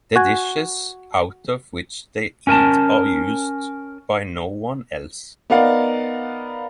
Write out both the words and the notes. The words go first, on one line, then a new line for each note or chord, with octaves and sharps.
The dishes out of which they eat are used by no one else.
F#4 G#5
C#4 A#4 G#5 A5
B3 D#4 A#4 D5 F5 F#5